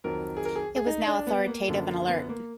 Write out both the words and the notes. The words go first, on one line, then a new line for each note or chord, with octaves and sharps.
It was now authoritative and alert..
F2 D#3 F#3 A#4
G#4
A#4
G#4
G#4
D#4
D4
B3
A#3
F#2 D3 F3
B3
A#3